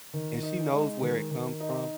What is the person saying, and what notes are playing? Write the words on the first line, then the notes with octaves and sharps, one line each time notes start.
and she knows where it comes from,
D#3
D#4
G#3
D#3
D#3
D#4